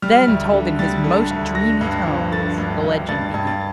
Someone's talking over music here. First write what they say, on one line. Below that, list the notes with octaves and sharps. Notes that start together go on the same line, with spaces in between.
Then, told in his most dreamy tones, the legend begins.
G3 F6
D2
D3
G3 A6
D3
D2
D3 A#6
G2
F3
D3 A6
G2
G2
G2 A6
G2
A6